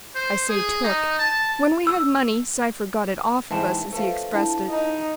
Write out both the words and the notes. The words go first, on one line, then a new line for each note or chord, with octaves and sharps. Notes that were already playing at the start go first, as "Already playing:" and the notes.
I say "took." When we had money, Cypher got it "off of" us, as he expressed it.
C5
G#4
D#4
A5
E6
G#2 E3 C4 A5 E7
F3 A3 B4
D4 E4 A5
D#4